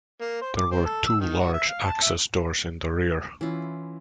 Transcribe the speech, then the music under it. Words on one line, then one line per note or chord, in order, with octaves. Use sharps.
There were two large access doors in the rear.
A#3
C5
D6
C4
A4
E6
D#3
F#4
E5
F5
A5
E5
E3 C#4 E4 F4